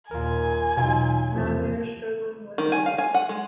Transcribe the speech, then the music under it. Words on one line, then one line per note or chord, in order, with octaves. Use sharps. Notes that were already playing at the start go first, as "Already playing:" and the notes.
Now they are struggling with it again.
D#2 A#2 F4 A#4 G#5
E2 B2 F#3 D#4 F4
E2 A2 C3 F3
D#3
G#5
F5
G#5
F#5
G#3